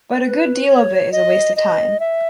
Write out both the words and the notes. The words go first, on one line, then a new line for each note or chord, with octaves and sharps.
But a good deal of it is a waste of time.
B4
C#5
D#5
D#5
E5